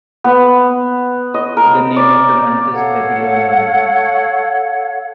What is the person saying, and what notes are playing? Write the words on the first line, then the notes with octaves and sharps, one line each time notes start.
The name of the month is Babylonian.
B3
D#5
A#4
D5
A4 C#5 F5 F#5